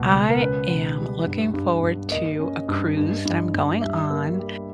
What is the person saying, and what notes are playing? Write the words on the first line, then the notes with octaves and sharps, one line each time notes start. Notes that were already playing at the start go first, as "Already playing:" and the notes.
I am looking forward to a cruise that I'm going on.
Already playing: C#2 B2
C#2
A#4
C#4 B4
B2
G3
G2
G2
G2
A#3 D#5
C#4
G2
G2
G2
G2
G3 E5
A#3
G3